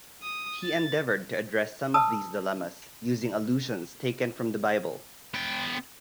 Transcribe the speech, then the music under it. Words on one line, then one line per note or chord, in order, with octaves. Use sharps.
He endeavored to address some of these dilemmas, using allusions taken from the Bible.
D#6
A6
B4 A5 D#6 E6
B3 G5